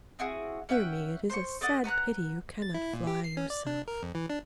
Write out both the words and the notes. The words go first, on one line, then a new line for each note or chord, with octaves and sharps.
Dear me! it is a sad pity you cannot fly yourself.
C4 E4 F#4 G#4
C#4 E5 F#5 G5
C5 C#6
A4 D5 D#5 F#5
B4 F#5 A#5 F#6
A6
E4
A#2
G4
C7
C#4
D5
D4
A#4
F2
E3
D4